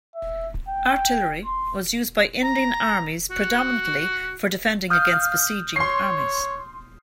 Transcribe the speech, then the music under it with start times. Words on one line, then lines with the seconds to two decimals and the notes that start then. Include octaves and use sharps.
Artillery was used by Indian armies predominantly for defending against besieging armies.
0.15 E5
0.69 G5
1.46 C6
2.43 A#5
3.31 F#4
4.90 F5 D#6 F6 G6
5.76 C#5 C6 C7